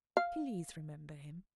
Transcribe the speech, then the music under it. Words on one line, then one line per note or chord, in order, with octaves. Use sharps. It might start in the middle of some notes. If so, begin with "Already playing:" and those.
Please remember him.
F5